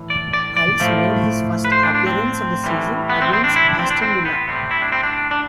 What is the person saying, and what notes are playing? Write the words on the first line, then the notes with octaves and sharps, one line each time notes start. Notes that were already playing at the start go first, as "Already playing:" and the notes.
Hulse made his first appearance of the season, against Aston Villa.
Already playing: A2 E3
D5
D5
D5
A2 F3 A3
B4
C5
D4
D4
C4
A2 E3 G3
B3
C4
C4
D4
E4
D4
C4
D4
C4
B3
A2 G3 C4
E4
D4
C4
D4
D4